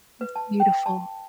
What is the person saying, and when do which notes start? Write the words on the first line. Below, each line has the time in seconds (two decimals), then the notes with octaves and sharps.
It's beautiful.
0.21 B4
0.36 A5
0.60 G5
0.86 A5